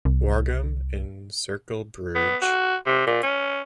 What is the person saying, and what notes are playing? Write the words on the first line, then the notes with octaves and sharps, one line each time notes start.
Waregem and Cercle Brugge.
C2
B3
F#4
C3
A#2
C#4